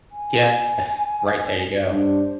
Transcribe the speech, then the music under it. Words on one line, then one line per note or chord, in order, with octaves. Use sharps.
Yes. Right, there you go.
G#5
G2 D4 C5